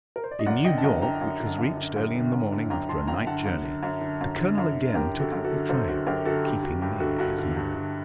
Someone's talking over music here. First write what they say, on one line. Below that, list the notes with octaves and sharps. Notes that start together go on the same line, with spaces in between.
In New York, which was reached early in the morning, after a night journey, the colonel again took up the trail, keeping near his man.
A#4
C5
D5
D#5
F#2 D5 F#5
D3 D#5 G5
A5
F#2 D#5 G5
D3 G5 A#5
F#2
D3
F#2
D3
F#2
D3
F#2
D3
F#2 G5 A#5
D3 A5 C6
F#2 G5 A#5
D3 F#5 A5
F#2
D3
F#2
D3
F#2
D3
F#2
D3
F#2 G4 A#4
D3
F#4 A4
F#2
F#4 A4
D3
F#2 A4 C5
D3 F#4 A4
F#2 G4 A#4
D3 F#4 A4
G2 G4
D3 F#4
G2 G4
D3 F#4 A4
G2 F#4
D3
G2
D3